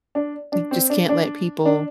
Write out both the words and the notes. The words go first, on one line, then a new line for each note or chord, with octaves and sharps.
you just can't let people
D4
D4
C4
D4
D4
D4